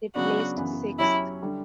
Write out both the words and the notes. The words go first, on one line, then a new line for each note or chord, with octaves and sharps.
They placed sixth.
C#3 F#3 B3 D4 F#4
F#2 C#3 E3 B3
F#3 C#4 E4 G4 C#5
D3 G3